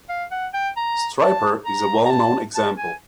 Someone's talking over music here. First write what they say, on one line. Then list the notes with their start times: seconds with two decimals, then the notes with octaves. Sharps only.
Stryper is a well-known example.
0.09 F5
0.31 F#5
0.54 G5
0.77 A#5
1.21 A5
1.66 A#5
2.06 A#5
2.11 A5
2.55 A5
2.78 G#5